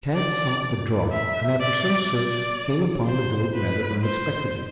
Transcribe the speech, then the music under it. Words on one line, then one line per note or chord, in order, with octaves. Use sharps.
Tad sought the draw and after some search came upon the goat rather unexpectedly.
D5
E5
D5
D5
C5
B4
C5